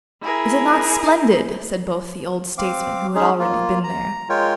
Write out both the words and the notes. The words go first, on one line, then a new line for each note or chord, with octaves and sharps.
'Is it not splendid!' said both the old statesmen who had already been there.
E4 G#4 A#4
C4 F5 D6
G#3 C#4 D#4 G#4
A#3 F4
A#5
G#3 F4 A#4 C#5 G5